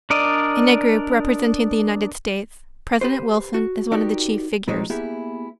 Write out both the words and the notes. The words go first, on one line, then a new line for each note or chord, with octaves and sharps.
In a group representing the United States, President Wilson is one of the chief figures.
D4 A#4 D5 D#5
G4 G#4 B4 C5
F#4
D#4 F#4 G4 A#4 D5
A#2 F3 F#3 G#3 C4 D#4
A#3 B3 E4 G4 G#4